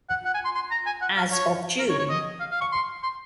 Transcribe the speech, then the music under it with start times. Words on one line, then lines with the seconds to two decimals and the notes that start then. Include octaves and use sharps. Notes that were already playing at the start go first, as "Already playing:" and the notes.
As of June.
0.09 F#5
0.25 F#5
0.34 G#5
0.45 C6
0.55 C6
0.71 A#5
0.86 G#5
1.01 F#5
1.17 F5
1.32 C#5
1.79 A#4
1.89 C#5
1.99 C#5
2.10 D#5
2.40 F5
2.52 F5
2.61 C#6
2.72 C6
3.03 C6